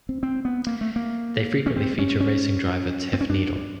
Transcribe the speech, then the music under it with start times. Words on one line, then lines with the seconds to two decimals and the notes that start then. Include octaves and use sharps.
They frequently feature racing driver Tiff Needell.
0.09 C4
0.23 C4
0.45 B3
0.67 A#3
0.81 A3
0.96 A#3
1.66 C#4
1.76 C4
1.99 C#4
2.20 C#4
3.13 C4
3.21 C#4
3.30 D4